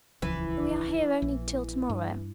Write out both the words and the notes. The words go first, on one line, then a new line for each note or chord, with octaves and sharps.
We are here only till to-morrow.
D#1 C#2 E3 F3
A#1
G2